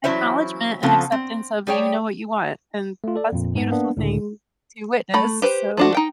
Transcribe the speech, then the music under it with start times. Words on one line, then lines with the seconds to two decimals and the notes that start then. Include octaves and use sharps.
acknowledgment and acceptance of you know what you want, and that's a beautiful thing to witness, so
0.04 E3 F#3 C#4 E4 C5 E5
0.83 C#3 F3 B3 C4 A4
1.12 C4
1.67 G3 G#4 C#5 G5
3.04 A3 F4
3.16 A4 D5
3.32 F2 A#2
3.55 G#2 B3
3.71 A#3 B3 D4
3.97 C#2 A2 D3
5.14 A3 B5
5.42 G4 B4 C5
5.77 F3 D4 F#4
5.94 D#4 G5